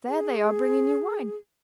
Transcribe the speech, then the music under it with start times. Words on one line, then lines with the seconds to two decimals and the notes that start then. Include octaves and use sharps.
There they are bringing new wine.
0.09 G#4